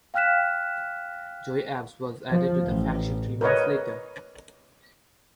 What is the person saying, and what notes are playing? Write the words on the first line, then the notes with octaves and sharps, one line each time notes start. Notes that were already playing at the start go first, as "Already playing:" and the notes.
Joey Abs was added to the faction three months later.
F5 G5 F6 F#6 B6 E7
F3
A1
A#4 B4 C#5 D#5